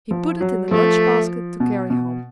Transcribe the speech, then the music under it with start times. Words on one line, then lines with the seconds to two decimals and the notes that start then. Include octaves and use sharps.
He put it in the lunch-basket to carry home.
0.11 F3
0.41 F#3
0.70 F3 A3
1.60 B2
1.90 B2